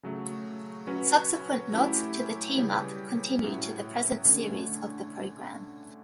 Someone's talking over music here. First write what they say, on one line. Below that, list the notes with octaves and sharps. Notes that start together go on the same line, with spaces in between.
Subsequent nods to the team-up continue to the present series of the programme.
C#3 F#3 A3
F#3 C#4 F#4 B4
F#3 A3 C#4 E4 G4
C#3 G3 C#4 G4 B4
A2 F#3 C#4
D3 A3 C#4